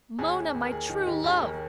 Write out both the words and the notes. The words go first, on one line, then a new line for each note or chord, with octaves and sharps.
Mona, my true love.
D#2 G#4
D#2
D#2
A#4
D#2 G#4
D#3
D#3 G4
D#2 G#4
D#2 A#4